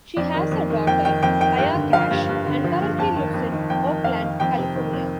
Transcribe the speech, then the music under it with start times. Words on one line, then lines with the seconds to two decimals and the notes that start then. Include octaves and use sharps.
She has a daughter, Aya Cash, and currently lives in Oakland, California.
0.17 F2 D5
0.34 D#3
0.51 F2
0.70 D#3
0.87 F2 G5
1.05 D#3 G5
1.23 F2 G5
1.40 D#3 G5
1.58 G2 G5
1.75 D3
1.93 F3 F5
2.11 G2
2.29 G2
2.46 D3
2.64 F3
2.82 G2
2.99 F2 A5
3.16 D#3
3.34 F2
3.52 D#3
3.70 F2 G5
3.87 D#3
4.04 F2 F5
4.22 D#3
4.40 F2 G5
4.58 C3
4.76 D#3
4.93 F2